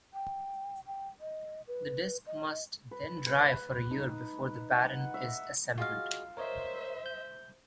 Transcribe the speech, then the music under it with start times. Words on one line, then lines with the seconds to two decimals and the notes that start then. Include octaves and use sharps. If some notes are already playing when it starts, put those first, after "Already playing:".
The disk must then dry for a year before the baren is assembled.
0.14 G5
0.87 G5
1.21 D#5
1.68 B4
2.27 D#5
2.91 B4
3.26 B4
3.91 D#4
4.72 F#5
5.14 E5
5.78 F4 F#4 G#4 D#5 F5
6.37 A#4 C5 C#5 D#5 E5
7.06 G6